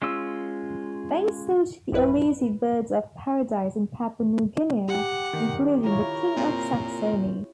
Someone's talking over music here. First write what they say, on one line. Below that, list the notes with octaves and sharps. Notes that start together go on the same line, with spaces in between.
They sought the elusive birds-of-paradise in Papua New Guinea including the King of Saxony.
G#3 C#4 F4 E6
A1 F#2 E4 B4
G4 F#5
D#3
E4 F4 A#4 C#5
A#2 C4